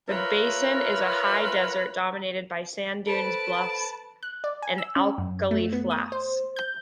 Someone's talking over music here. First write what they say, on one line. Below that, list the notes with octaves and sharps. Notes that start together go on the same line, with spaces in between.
The basin is a high desert dominated by sand dunes, bluffs and alkali flats.
F4 A#4 B4 C#5 E5
A4 B4 C5 A5 B5 D7
F#6
D5
G#5
E6
C#4
F#2
A3
B3
D#6
C5
G6